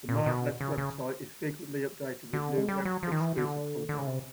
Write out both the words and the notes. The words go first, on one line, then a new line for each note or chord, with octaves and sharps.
The Martlet's website is frequently updated with new web-exclusive content.
A#2
B2
C#3
C#3
D3
G#3
G3
F#3
F3
D#3
E3
D3
D3
C#3
C3